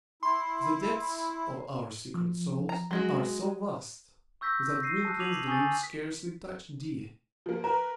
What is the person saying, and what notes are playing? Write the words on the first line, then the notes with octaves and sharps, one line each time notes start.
The depths of our secret souls are so vast that Gwynplaine's dreams scarcely touched Dea.
E4 C6
F3
A#5
F#3 G#3 F#4
C#6 E6 G6 A#6 B6
A#6 C7 D#7
A5 D#6 F#6
D6 G#6 B6 D#7 F7 F#7
G#5 C#6 D#6 G6 A6
B6
F3 A#3
A#4 B4 A#5